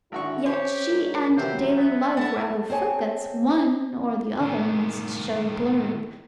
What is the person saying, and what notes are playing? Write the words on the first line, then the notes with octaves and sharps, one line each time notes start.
Yet she and daily life were out of focus: one or the other must show blurred.
G#1 D3 E4 F#4 C#6
C#4 E4 G4 C5 C#5
G#3 D4 A#4
C3 E3 F#3 G4 C5
B3 E5
B3 E4 A4 A5
C4 G#4 C#5 G#5 A5
A2 D#3